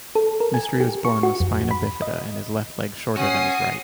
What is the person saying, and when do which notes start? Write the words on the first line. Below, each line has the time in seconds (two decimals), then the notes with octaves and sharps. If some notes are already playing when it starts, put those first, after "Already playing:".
Mistry was born with spina bifida and his left leg shorter than his right.
0.15 A4
0.40 A#4
0.54 G#5
0.80 G4
1.05 C#6
1.23 F#4
1.40 F2
1.71 B5
2.02 D#5
3.17 C#4 F#4 D#6 C7